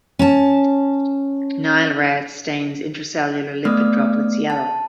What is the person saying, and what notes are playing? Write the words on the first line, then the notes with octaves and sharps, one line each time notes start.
Nile red stains intracellular lipid droplets yellow.
C#4 A5
A3 B3 D5 D#6 F6
A5